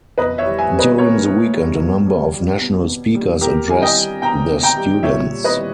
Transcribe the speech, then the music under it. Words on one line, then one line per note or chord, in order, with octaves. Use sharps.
During the weekend, a number of national speakers address the students.
B2 B4 D#5
C#5 E5
G3
E5 G#5
G3
B4 D#5
B2 A#4 C#5
B2
G3
B2
G3
G3
B2
B2
G3
B2 G4 A#4
G3 G#5
D#5 G5
G3
B2 G5 A#5
B2
G5 A#5
G3
A#2 C#5 E5
G3
B4 D#5
G3